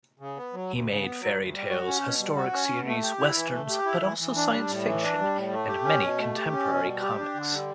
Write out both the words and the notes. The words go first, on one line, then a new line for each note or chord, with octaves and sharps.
He made fairytales, historic series, westerns, but also science fiction and many contemporary comics.
C#3
B3
F#3
D2
C#3
B3
F#3
D2
G3
F#4
C#4
B2
G3
F#4
C#4
B2
A3
G4
E4
E3
A3
G4
E4
E3
E3
D4
G3
A2
E3
D4
G3
A2
A3
G4
C#4
B2
A3
G4
C#4
B2
G3
G4
D4
D3
G3